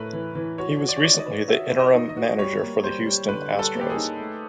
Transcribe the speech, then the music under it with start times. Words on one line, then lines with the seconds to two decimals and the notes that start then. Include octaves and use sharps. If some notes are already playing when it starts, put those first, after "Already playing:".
He was recently the interim manager for the Houston Astros.
Already playing: A2 A3 A#4 B4 C#5
0.13 E3
0.35 E3
0.58 F#4 C#5
0.81 F#4
0.89 D5
0.96 C#5
1.03 D#4 D5
1.19 D#5
1.25 B4
1.48 F#4 E5
1.70 B4
1.79 D#5
1.94 D#4
2.09 D#5
2.17 F#4
2.39 G3 C#5
2.62 A#3
2.84 G3 C5
3.06 G3
3.29 D3 B4
3.52 G3
3.59 A4
3.75 A#3
3.81 G4
3.90 G#4
3.96 D#4
4.20 A3